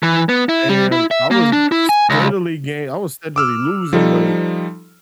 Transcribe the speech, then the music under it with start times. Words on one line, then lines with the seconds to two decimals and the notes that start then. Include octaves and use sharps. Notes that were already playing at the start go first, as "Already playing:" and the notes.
and, I was st steadily gain I was steadily losing weight,
0.03 E3
0.29 B3
0.49 E4
0.69 G3
0.92 E4
1.11 E5
1.31 A#3
1.52 D4
1.72 E4
1.89 G#5
2.10 C#2
3.36 D6 E6 F6
3.93 F3 G3 D#4 A4